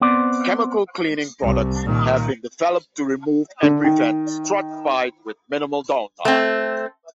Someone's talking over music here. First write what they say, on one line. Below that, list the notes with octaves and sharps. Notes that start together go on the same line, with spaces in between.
Chemical cleaning products have been developed to remove and prevent struvite with minimal downtime.
B3 C4 C5 D5
C2
A#2 D#3
D3
D#3
A3 C4